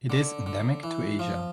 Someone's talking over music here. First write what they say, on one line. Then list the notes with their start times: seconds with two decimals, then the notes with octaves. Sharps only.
It is endemic to Asia.
0.10 D3
0.46 D3
0.83 E3
1.19 F3